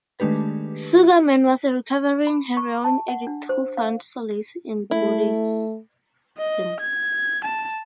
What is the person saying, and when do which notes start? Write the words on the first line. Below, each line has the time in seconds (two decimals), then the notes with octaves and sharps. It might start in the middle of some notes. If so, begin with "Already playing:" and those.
Sugerman was a recovering heroin addict who found solace in Buddhism.
0.20 D#3 G#3 A3 D4 G4 B4
2.27 B5
2.57 C#6
2.84 A5
3.08 F#5
3.27 D4
3.49 C5
3.77 F5
4.91 A3 E4
6.38 D#5
6.81 G#6
7.45 A5